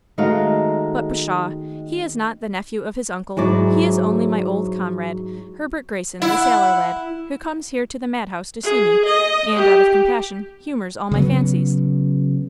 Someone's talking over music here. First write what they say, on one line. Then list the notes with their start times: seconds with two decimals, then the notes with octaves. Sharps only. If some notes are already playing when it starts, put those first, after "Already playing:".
But, pshaw! he is not 'the nephew of his uncle;' he is only my old comrade, Herbert Greyson, the sailor lad, who comes here to the madhouse to see me, and, out of compassion, humors all my fancies.
0.18 D#3 G#3 A3 D#4 F#4 F5
3.37 G#2 F#3 E4 D5
6.22 E4 F#5
8.63 G#4
9.06 D#5
9.56 G4
11.11 C#3 F#3 B3